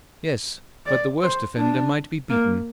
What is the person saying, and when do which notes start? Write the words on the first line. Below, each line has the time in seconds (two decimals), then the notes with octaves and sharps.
"Yes; but the worst offender might be beaten."
0.86 D5
1.22 C5
1.57 D4
2.30 A#3